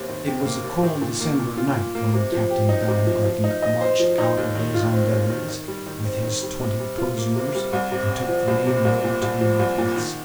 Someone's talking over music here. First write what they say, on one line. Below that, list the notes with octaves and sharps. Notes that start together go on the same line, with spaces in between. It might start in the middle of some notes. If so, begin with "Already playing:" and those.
It was a cold December night when Captain Baumgarten marched out of Les Andelys with his twenty Poseners, and took the main road to the north west.
Already playing: D#2 C3
D#3
G4
A#3
D#2
D#3
A#2
A#3
A#2
F4
A#2
A#3
C3
F3
G4
D#4
C3
F3
F3
D#4
D#5
C5
F3
D#4
D#2
D#3
F4
C4
D#2
D#3
D#3
G3
D#3
C4
D#3
G3
C3
G3
F4
A#3
C3
G3
C2
C3
C4
F3
C2
C3
C2
A#2
C2
F3
C2
A#2
D#3